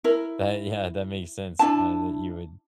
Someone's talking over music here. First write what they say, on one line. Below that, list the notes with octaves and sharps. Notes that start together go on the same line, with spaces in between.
that yeah, that makes sense, uh, that you would
E4 A#4
D4 E4 A5